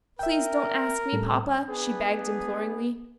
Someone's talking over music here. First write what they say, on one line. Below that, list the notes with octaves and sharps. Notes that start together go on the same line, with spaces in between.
"Please don't ask me, papa," she begged imploringly.
A#4 E5 G5
A2 G3 A4
B3 D4 G#4 B4